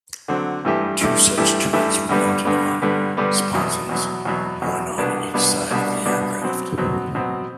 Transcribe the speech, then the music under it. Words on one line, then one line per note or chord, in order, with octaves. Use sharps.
Two such turrets were mounted on sponsons, one on each side of the aircraft.
D3 F#3 C4
G2 E3 A3 E4 G4
G2 E3 A3 E4 G4
G2 E3 A3 E4 G4
G2 E3 A3 E4 G4
G2 D3 G3 B3
G2 D3 G3 B3
G2 D3 G3 B3
G2 D3 G3 B3
E2 B2 F#3
E2 B2 F#3
E2 B2 F#3
E2 B2 F#3
C2 B2 G3 B3 D4
C2 B2 G3 B3 D4
C2 B2 G3 B3 D4
C2 B2 G3 B3 D4
B2 F#3 C4
B2 F#3 C4
B2 F#3 C4